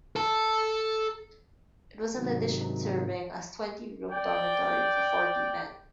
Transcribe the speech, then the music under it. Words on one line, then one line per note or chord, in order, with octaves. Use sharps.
It was an addition serving as a twenty-room dormitory for forty men.
A4 A5
G#2 C3 D#3 F#3
D5 G5